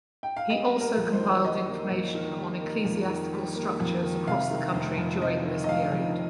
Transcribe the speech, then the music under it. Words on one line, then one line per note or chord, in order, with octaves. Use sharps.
He also compiled information on ecclesiastical structures across the country during this period.
G5
F5
G3 D#5
A#3
A#4
F2
C5
D#3
G3 D#5
A#3
F2
D#3
G3
A#3
F2
D#3
G3
A#3
F2
D#3
C3 F5
D#3
F1
F2
C3 D#5
D#3
D#5
F1 F5
F2